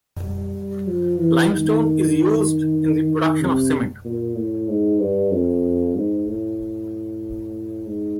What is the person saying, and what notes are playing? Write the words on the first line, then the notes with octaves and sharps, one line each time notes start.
Limestone is used in the production of cement.
G3
F3
E3
D#3
C3
A#2
A2
G#2
G2
F2
G#2
A2
G#2